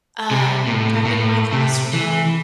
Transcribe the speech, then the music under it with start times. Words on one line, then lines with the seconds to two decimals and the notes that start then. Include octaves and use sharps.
uh, prepping my classroom,
0.31 C3
0.67 A#2
0.72 A2
1.05 A#2
1.12 A2
1.53 C3
1.93 E3